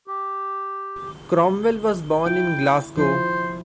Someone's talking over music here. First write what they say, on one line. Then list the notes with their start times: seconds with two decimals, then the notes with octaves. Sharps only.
Cromwell was born in Glasgow.
0.08 G4
2.26 E4 G5
2.97 F3 E4 C5